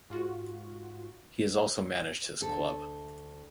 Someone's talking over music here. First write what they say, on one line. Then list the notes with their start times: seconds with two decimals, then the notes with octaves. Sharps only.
He has also managed his club.
0.10 G#2 F4 F#4
2.41 D2 A4